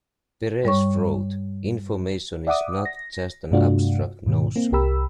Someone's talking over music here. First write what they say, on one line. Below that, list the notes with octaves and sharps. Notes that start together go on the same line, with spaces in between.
Peres wrote, Information is not just an abstract notion.
G2 G3 C#5 C#6
D5 E5 F#5 D6 D#6
A#6
G2 C3 A3 D4 F4 F#4
G#2 B2 D#3
A#3 C4
C2 G4 A#4 B5 E6